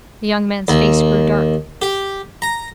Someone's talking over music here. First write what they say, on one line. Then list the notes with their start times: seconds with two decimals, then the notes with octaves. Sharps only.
The young man's face grew dark.
0.68 D#2
1.82 G4
2.42 A#5